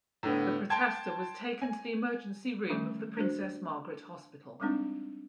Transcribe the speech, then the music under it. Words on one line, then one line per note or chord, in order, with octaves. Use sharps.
The protester was taken to the emergency room of the Princess Margaret Hospital.
A2 D3 B3
G5 A5 C6 G#6
G#5
D#3 F3 G3 A3 C#4
D4 F#4 C5
G3 G#3 A#3 C4 D4 D#4